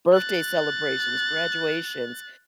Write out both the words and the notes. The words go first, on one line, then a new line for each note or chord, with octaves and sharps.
birthday celebrations, graduations,
F#6 A6